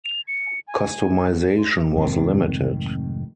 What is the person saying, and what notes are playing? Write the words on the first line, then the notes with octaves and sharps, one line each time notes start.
Customization was limited.
F7
C#7
G#5
C6
F1 G#2 D#3 C4